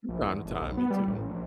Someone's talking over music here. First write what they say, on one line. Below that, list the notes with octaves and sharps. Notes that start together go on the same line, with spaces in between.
From time to time, me too.
A#1
E2
G1
B1
B3
G3
A1
A#1